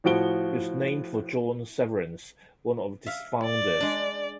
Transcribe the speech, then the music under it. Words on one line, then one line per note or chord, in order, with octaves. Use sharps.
It was named for John Severance, one of its founders.
A2 F3 F#4 D7 G7
E5 F5
D5
G#3 D4